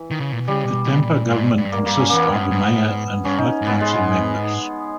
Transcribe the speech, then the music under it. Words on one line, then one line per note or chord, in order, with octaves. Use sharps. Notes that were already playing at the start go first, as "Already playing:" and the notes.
The Tampa government consists of a mayor and five council members.
Already playing: E3
D#3
C#3
A#2
B2
C#3 G3
B2
B2
A#2
G#2
G2
A#3
G2 A#3
C#4
E2 A#3 B3
G2
G#2
G2 C#4
D#4
G#2 B3
G#3